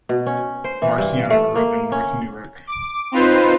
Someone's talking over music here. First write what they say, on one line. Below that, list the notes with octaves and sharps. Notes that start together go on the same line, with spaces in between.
Marciano grew up in north Newark.
B2
C#4
C5
E3
G2
A3
A#3
C#4
D6
C4 D#4 F4 B4 C5